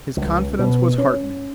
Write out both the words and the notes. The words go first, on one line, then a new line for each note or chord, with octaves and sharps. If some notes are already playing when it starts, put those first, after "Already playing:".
His confidence was heartening.
C#2
B2
C#4